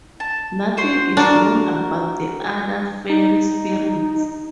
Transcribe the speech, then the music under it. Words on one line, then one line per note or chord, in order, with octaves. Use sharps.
Nothing is known about the other fiery spirits.
A5
F#4 C5 C6
D4 F#4 A#4
D#4